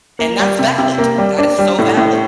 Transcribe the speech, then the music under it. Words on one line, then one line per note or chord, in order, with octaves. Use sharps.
And that's valid. That is so valid.
A#3
G3
C3
C3
A#3
G3
D4
G3
A2
A2